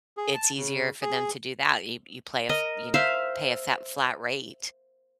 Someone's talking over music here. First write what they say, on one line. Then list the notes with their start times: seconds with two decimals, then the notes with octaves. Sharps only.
it's easier for them to do that. You you play a you know, pay a fat flat rate,
0.17 G#4
0.34 A5
0.58 C#3
1.02 G#4
2.49 A#4 D#5
2.94 C5 E5 F5